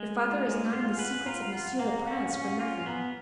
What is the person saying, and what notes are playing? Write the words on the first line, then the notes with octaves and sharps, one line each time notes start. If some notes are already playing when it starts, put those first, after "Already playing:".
"Your father is not in the secrets of monsieur le prince for nothing."
Already playing: G#3
F4
G#3
F4 F#5
G#5
F#5
G#5
B4
F#5
F4 A#5
A#5
F4 F#5
F#5
A#3 F5
F#5
C#4 F5
F#5
F5
C#4 F#5
F5
F4
G#5
B3 A#5